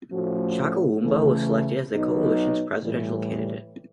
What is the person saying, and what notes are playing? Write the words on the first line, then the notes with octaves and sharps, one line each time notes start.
Chakuamba was selected as the coalition's presidential candidate.
A2 F3 A3 C#4 F#4
C#3 E3 A3
B2 F#3 B3 D#4
A2 E3 G3